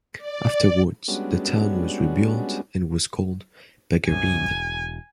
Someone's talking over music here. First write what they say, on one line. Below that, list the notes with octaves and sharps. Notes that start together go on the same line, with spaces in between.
Afterwards the town was rebuilt and was called Bagherino.
D5
G3 G#3 B3 C#4 D4 F#4
C2 F#2 G#5
E1